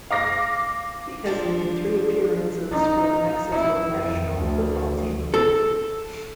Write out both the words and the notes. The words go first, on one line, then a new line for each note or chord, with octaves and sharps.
He has made three appearances for the Mexico national football team.
F5 D6 A#6
F3 G#3 D4
D#4
E4
F2
D2
A4